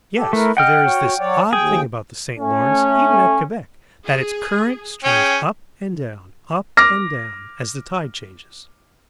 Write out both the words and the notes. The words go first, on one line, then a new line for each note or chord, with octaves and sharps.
Yes, for there is this odd thing about the St. Lawrence, even at Quebec, that its current streams up and down, up and down, as the tide changes.
G4 A4
A3 E4 A#4 B4
D#5 F#5 G5 F6
F#4 C#5
F#3 C#5 D5
D#2 G#4 G5
A3 C#4
G#4
C#4 G#4 G5
D6 F6 A#6